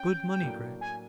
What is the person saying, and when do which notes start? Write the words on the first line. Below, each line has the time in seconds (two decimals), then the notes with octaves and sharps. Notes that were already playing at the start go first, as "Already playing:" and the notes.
Good money, Gregg.
Already playing: C#4 G5
0.41 A2 F#3 A#3 D4
0.81 G#5